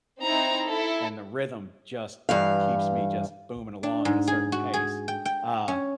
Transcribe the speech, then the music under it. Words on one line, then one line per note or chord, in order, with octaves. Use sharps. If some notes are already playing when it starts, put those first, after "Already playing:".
and the rhythm just keeps me just booming along at a certain pace, uh
C4 D#4 E4 A#5
E4 A4
G2 E3 F5
D4
G#2
G#4
F#4
G#4
G5
G5
C#4